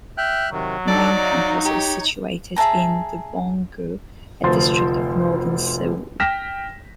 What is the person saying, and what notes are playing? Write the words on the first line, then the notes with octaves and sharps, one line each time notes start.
The main campus is situated in Dobong-gu, a district of northern Seoul.
E5 G5 F6 F#6
C3 D#3 F#3
D4 D#4 A4 D5
F5
G4 C#5
G#4 E5 A5 A#5
F1 D2 F3 C5 C6 A6
G5 F6 A#6 B6 E7